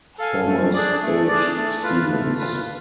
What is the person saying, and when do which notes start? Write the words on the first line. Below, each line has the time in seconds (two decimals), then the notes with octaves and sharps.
Thomas H. Stevens.
0.19 A4 F5 G#5
0.46 A3
0.73 D4 G#4 D5
1.01 A3
1.28 D4 G#4 D5
1.56 A3
1.83 F4 B4
2.11 A3
2.39 F4 B4